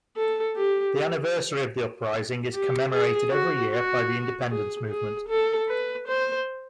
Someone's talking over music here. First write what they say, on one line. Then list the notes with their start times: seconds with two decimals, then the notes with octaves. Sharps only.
The anniversary of the uprising is commemorated every year by the independence movement.
0.16 A4
0.56 G4
2.53 G4
2.92 G#4
3.32 F#4
3.71 F#4
4.50 G#4
4.89 G#4
5.29 A4
5.68 B4
6.08 C5